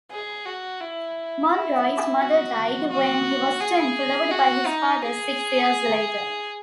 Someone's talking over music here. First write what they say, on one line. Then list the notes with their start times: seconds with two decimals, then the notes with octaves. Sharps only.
Monroe's mother died when he was ten, followed by his father six years later.
0.11 G#4
0.45 F#4
0.80 E4
1.52 E4
2.22 F#4
2.91 F#4
3.61 G#4
4.31 F#4
4.67 D#4
5.02 G#4